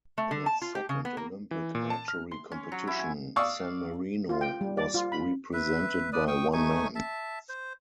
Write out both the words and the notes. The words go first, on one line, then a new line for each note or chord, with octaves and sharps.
In its second Olympic archery competition, San Marino was represented by one man.
A3
D3
A5
F4
G4
C#3
B3
A#3
E3
A#2
A5
F6
C6
C#4
F#3
E4
G#5
D5 F5 C#6 D#6 E6
F4
G5
G3
D5
F4
B5
B4 E5
B4 D5 D#6
G5 C#6 D#6
A3 D#4 G#5 C#6
E5 A5
C5